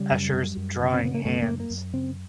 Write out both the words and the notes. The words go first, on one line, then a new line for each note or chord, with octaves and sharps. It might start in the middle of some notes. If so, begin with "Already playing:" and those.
Escher's "Drawing Hands".
Already playing: C#3 G3
F#2
F#2
F#2
C#3
C4
C#3 B3
A#3
F#2 A3
A#3
F#2
A#3
F#2
C#3 C4